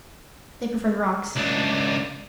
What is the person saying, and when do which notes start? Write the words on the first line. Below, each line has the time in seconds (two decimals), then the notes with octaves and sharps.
They prefer the rocks.
1.36 C#2 D4